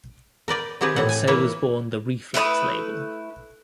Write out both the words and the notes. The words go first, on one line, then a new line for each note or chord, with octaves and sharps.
And so was born the Rephlex label.
A#4 B4 D5 G5
D#3 C4 G4 G#4 B4
A2 E3 F#5
G#5
E3 A#3 B4 C#5 E5
A3 E4 B4 D#6